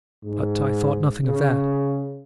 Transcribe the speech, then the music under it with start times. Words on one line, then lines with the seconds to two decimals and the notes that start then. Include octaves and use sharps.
But I thought nothing of that.
0.24 G#2
1.26 C#3